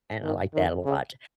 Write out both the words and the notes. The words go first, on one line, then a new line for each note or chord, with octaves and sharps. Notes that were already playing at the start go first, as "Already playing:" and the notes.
and I like that a lot.
D#3
D#3
C#3